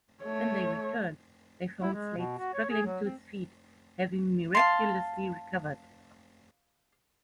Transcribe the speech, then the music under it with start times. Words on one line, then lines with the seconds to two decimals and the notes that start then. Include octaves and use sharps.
When they returned, they found Slade struggling to his feet, having miraculously recovered.
0.24 A3 C#5
1.82 E4
1.93 G#3
2.17 B2
2.38 F#4
2.53 C#5
2.69 G#4
2.85 F#3
3.05 C4
4.55 F5 A5 C6